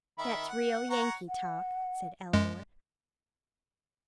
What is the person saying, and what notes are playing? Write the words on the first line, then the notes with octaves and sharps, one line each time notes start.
"That's real Yankee talk," said Elinor.
D#3 E5 B5
F#5
C#5 F#5 A#5
F#5
F#2 G#3